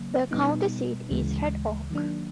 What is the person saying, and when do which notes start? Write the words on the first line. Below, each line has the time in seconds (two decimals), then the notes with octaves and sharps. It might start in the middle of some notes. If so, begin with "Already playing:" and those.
The county seat is Red Oak.
Already playing: C#3 F#3 A#3 C#4
0.31 B2 G3 B3 D#4
1.11 D2 C#3 E3 G#3
1.91 D#3 F#3 A#3 D4